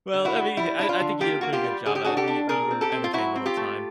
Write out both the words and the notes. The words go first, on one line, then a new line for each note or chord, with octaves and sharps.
Well, I mean, I I think he did a pretty good job at it; we we were entertained the whole time.
D3
E4 F#4
G3
G3 E4
D4 E4
F4
D3
A#3 F4 G4
A#3 F#4
F4 G4
G3
D3 G#4
G4
D4 F#4 G#4
G4 A4
D4
A#2 G#4 A#4
C4
G4 A4
C4
F4
F#3 E4 F#4
C4
F4 G4
A3